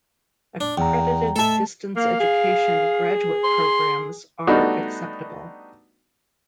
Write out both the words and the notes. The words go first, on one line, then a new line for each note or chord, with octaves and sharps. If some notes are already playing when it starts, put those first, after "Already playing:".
Accredited distance education graduate programs are acceptable.
D4
E2 G5 A#5
A3 A4 E5 A5
A#3 F5
G#4
C6
G3 A3 B3 D4 D#4 F#4